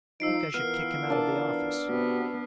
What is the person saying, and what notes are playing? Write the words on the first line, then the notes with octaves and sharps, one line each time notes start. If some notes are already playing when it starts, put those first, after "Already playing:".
"I think I should kick him out of the office."
F3 D#4 E6 C7 D7
E3 B3 F4 A#4 F6
D4 A5
C3 B3 F#4